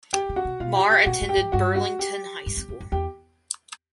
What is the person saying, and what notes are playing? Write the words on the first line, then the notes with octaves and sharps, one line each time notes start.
Maher attended Burlington High School.
G4 G5
C#3
F#4 F#5
C3
B2 F4 F5
G4 G5
G4 G5
A#2 F#4 F#5
A2
G4 G5
G#2
G2 F#4 F#5
F#4 F#5
G4 G5
G2
F2
E2
F2
E2 G4 G5